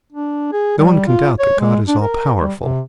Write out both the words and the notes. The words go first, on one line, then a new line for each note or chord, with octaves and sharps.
'No one can doubt that God is all-powerful.'
D4
G#4
G3
F4
C#5
G#3
D4
A#4
G3
C3